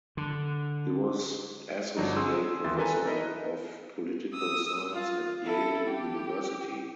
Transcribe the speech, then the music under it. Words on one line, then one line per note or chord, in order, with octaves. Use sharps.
He was Associate Professor of Political Science at Yale University.
D3
G1 F3 F#3 D4 D#4
G#4 C6 E6
D#2 E3 E4 C6 A6
A4 B4 G#5 A#5
D#4 E4 A#4 B4 D#5
D#6 E6
F4
E4 A4
G4